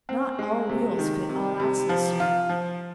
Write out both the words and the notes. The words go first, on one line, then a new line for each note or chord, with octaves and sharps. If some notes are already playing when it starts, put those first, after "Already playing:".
"Not all wheels fit all axles, sir."
C4
G#3
C3
D#3
C3
C3
F3
F4
F3